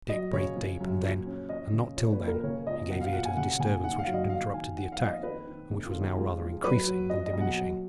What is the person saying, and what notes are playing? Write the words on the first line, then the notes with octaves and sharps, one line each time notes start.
Dick breathed deep, and then, and not till then, he gave ear to the disturbance which had interrupted the attack, and which was now rather increasing than diminishing.
F#3 D#5
C#3 C#5
F3
F#2
A#2
C#4
F3 D#5
C#3
A#2 C#5
B4
A#1
A#4
C#3 C#5
C#2 D#5
B1 F#5
F5
A#2 F#5
G#5
C#3 F#5
C#3 G#5
D#3 F#5
F5
F#3
D#5
D#3 F5
D#3 G#5
F3 F#5
F5
F2
D#5
D#3 B4
D#3
F1
F4
D#2
D#4
G#3 F4
F3
F#3 B4
F#3
F3 D#5
D#5
B1
F#5
F#3